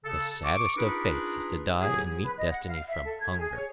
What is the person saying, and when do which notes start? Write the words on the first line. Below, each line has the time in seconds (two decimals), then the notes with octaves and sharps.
'The saddest of fates is to die and meet destiny from hunger?'
0.05 C#3 A4
0.45 C#6 D6
0.77 D4 D#4 F4 G#4 A#4 B4
1.81 F#3 B3 E4 G4 G#4
2.22 B4
2.37 D#5
2.51 F#5
2.67 F5
2.88 E5
3.05 A4
3.20 G#6
3.39 G#4
3.53 C#5